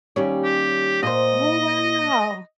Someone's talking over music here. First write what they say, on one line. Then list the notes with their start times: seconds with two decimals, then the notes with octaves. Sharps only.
Oh, wow.
0.16 D#2 G3 C#4
0.44 G4
1.03 A#2 C5 D#5